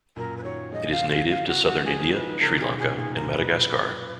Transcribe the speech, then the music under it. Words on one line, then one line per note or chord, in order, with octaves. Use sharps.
It is native to southern India, Sri Lanka, and Madagascar.
F#2 A#2 A#4
B4
D#3 F#3 C#5
F3 G#3 D#5
F5
F#3
G#3 F5
D#3 F#3
G#3
D#3 F#3 F5
C#3 F3 F#4
D#3 F#3 F#4
F3 G#3 G#4
D#3 F#3
F3 G#3 B4
D#3 F#3
C#3 F3 A#4
B2 D#3 G#4
B2 D#3
A#2 C#3 G#4
G#2 G#4
F#2 A#4
G#2
B4
B2
F#2 A#2